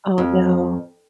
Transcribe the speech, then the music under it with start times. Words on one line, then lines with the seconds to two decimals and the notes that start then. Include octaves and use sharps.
Oh, no.
0.18 F2